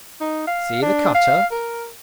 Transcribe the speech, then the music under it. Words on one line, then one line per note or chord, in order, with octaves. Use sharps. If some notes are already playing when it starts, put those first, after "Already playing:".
"See the cutter?"
D#4
F5
D4
F5
A#4